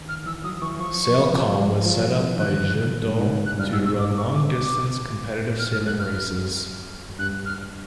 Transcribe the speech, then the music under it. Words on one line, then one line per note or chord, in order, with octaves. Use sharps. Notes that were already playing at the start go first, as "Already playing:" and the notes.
SailCom was set up by Jeantot to run long distance competitive sailing races.
Already playing: D#3
F6
E3 E6
F#3 D#6
E3 C#6
F3 C#6
F#3
F3
F3
F#3
E3
D#3
D3 F#6
C#3
C3
G#2
G2
G#2
G#2
G2 F#6
G2 F6
A2
G#2 E6
B2
A#2 E6
A2 D6
C#6
D6
D6
G#2
A2 F6
G#2 F6
F#2 F#6
G2 F6
F#2
G2 F#6
F6